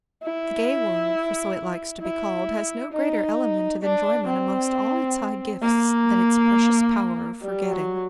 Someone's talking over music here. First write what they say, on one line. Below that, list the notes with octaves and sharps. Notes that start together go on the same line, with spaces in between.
The gay world, for so it likes to be called, has no greater element of enjoyment amongst all its high gifts than its precious power of forgetting.
E4
E4
D#4
D4
C4
A#3
G3
F#3